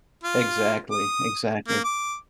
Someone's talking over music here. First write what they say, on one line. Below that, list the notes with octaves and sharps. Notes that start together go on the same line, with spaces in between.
Exactly, exactly.
F4
D#6
A#3
D6